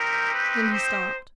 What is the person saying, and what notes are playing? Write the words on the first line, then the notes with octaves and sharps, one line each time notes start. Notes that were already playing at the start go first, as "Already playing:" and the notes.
Then he stopped.
Already playing: C4 D#4 G4 A#4
B4
C5